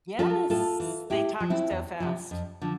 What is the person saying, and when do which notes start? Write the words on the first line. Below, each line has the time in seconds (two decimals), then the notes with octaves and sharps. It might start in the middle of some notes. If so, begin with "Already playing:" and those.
Yes, they talked so fast.
0.19 F3 F4 A4
0.50 A2 F4 A4
0.80 E3
1.10 A2 E4 G4
1.40 F3
1.50 C4 E4
1.71 E2
2.00 C3 F3
2.31 F2
2.62 D3 F3